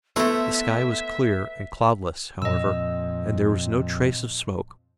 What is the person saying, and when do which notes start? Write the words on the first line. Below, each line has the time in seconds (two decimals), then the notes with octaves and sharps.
The sky was clear and cloudless, however, and there was no trace of smoke.
0.16 A3 B3 E4 A4 C5 E5 A#5
2.42 F2 A#2 D#5 E6